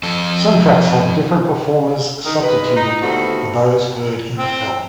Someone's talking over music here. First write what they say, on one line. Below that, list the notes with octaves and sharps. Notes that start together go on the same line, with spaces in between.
Some tracks have different performers substituted for those heard in the film.
F2 A4
D#3
G2 D#3 G#3 B4
D#4
D#2 A2 D3 B3 C4 F#4
C4